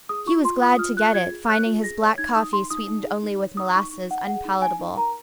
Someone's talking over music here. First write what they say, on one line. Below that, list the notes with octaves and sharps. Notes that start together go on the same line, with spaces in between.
He was glad to get it, finding his black coffee sweetened only with molasses unpalatable.
G#4 D#6
F4 C#6
F4 C6
F4 D#6
D#6
F4 F6
F4 F#6
F4 G#6
G#4
C#5 F#6
F4
G#4 A#6
C#5
D#4 G#6
D#4 D#6
D#4 C6
D#4 D#6
D#4
G#4
D#4
C#5
D#4 D#6
D#4 C#6
D#4
D#4 F#5
G#4 F#5
D#4
D#4 G#5
D#4
A#4 A#5